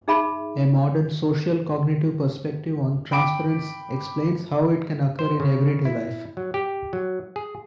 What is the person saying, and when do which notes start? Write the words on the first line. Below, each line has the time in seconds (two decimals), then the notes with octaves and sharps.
A modern, social-cognitive perspective on transference explains how it can occur in everyday life.
0.08 D#4 G#4 E5 A5 B5
3.12 G5 B5 D6 D7
5.19 C5
5.40 C#3
5.85 E4
6.37 F#3
6.54 G4
6.93 F#3
7.36 G#4